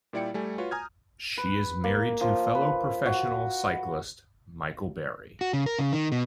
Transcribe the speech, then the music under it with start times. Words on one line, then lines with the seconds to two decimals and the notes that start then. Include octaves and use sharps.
She is married to fellow professionial cyclist Michael Barry.
0.13 A#2 G3 E4 D5 G5 C#7
0.34 G3 A3 G#5
0.58 F4 F#4 B4 C#5
0.71 G#5 A#5 D#6 F6 G6 G#6
1.37 B4
1.84 A#3
2.21 F3
2.55 B4
3.06 F#4
5.41 F#4
5.53 C#3
5.66 A#4
5.79 C#3
5.93 D#3
6.12 B2